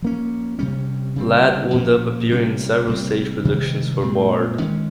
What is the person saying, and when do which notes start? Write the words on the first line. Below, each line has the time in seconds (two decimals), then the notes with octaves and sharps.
Ladd wound up appearing in several stage productions for Bard.
0.02 F3 A#3 C#4
0.59 C3 G3 C#4
1.16 C#3 G3 C4
1.74 A#2 F3 A#3 C#4
2.31 C3 G3 C#4
2.88 C3 G3 C4
3.45 C3 D#3 G3
4.01 A#2 G#3 C4
4.59 D#3 G#3 C#4